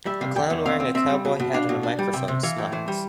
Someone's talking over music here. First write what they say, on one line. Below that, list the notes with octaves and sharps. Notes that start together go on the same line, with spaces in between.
A clown wearing a cowboy hat and a microphone smiles.
G3 E5
C3 F5
E2 G5
E2
C4 F5
C4
C4 E5
G3
B2
B2
D4 F5
B2
D4
G3
C3 G5
C3
E3 F5
A2
E3 C5
G3